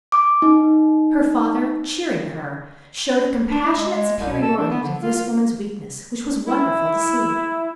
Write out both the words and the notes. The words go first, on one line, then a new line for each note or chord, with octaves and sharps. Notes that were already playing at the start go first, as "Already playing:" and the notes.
Her father, cheering her, showed a compassionate superiority to this woman's weakness, which was wonderful to see.
D6
D#4
D4
E4
G#3
G#3
C2
B2
A4
D4
B3
D3
F4
F4
E4